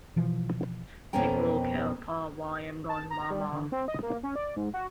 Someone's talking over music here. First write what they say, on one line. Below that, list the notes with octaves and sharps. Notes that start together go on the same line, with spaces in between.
Take a little care of Pa while I am gone, Mama!
B2 E3 F3
F2 B2 A#3 C#4 A#4 G5
A5
A#5
G3
D3
C4
D#5
A#3
C#4
D5
G#2
F#4